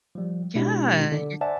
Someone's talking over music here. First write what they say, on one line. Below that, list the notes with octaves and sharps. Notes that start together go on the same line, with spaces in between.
Yeah, you're
F3 G3
B2 G#3 D4 E4 G4
D3 D4
C5 D5 E5 F#5 G#5 A5